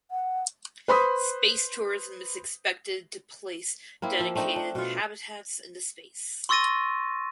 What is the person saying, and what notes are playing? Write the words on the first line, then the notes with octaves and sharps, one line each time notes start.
Space tourism is expected to place dedicated habitats into space.
F#5
B4 C5 B5 C6 D#6 B6
A#3 C4 E4
F3 E5
A3 C4 D4 D#4
D4
B2 F4
C6 C#6 E6 A6 A#6 D#7